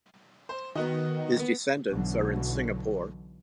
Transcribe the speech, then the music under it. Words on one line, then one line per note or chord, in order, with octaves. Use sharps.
His descendants are in Singapore.
C5
D#3 B3 F#4 D#5
B3
B1 B2 D3 E3 F#3